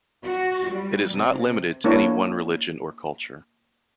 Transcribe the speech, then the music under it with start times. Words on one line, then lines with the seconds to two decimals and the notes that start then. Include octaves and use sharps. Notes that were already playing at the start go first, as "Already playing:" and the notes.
It is not limited to any one religion or culture.
0.24 F#4
0.70 G3
1.13 C3
1.84 A#3 D4 E4 C#5